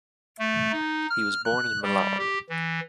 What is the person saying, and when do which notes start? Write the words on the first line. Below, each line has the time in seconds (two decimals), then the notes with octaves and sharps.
He was born in Milan.
0.39 A3
0.72 D#4
1.10 F6
1.45 F#6
1.82 G3
2.18 G4
2.50 E3